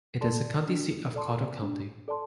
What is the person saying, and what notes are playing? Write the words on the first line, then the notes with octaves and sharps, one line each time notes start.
It is the county seat of Cottle County.
A4 D5 A5 C6
D4
A4 D5 A5 C6
D4
A4 D5 A5 C6